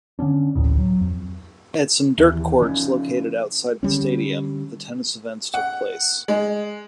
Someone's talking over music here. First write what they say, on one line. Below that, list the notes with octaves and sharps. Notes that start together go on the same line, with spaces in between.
At some dirt courts located outside the stadium, the tennis events took place.
D3 B3 C#4 D4
A1 D2 A2 C#3
F#3
F2
D#2 E3
C#3 F3 C#4
D3 G3 C#4
F#5
G#3